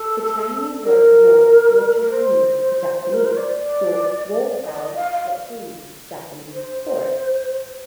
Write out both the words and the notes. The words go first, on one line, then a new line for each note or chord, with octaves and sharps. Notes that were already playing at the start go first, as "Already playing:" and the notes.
The Chinese word "wo" literally means "Japanese", so "wodao" literally means Japanese sword.
Already playing: A4
A#4
A#4
C5
A#4
C5
D5
D#5
D5
D#5
F5
F5
C5